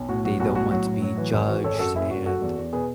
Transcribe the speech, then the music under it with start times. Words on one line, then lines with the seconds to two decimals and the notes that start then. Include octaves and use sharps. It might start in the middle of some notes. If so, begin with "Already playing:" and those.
they don't want to be judged, and
Already playing: B1
0.08 A2 F#4
0.24 F#3 F#4
0.40 B1 F#4
0.55 A2 F#4
0.71 F#3 F#4
0.86 A2
1.02 F#3
1.17 E3
1.33 G#1
1.48 E3 F#4
1.64 G#1 A4 C#5
1.73 G#4
1.79 F#2 F#4 A4
1.95 F#1 E4 G#4
2.10 F#1 F#4
2.26 F#1 F#4 A4
2.42 E2
2.58 E2
2.73 B2 G#4 B4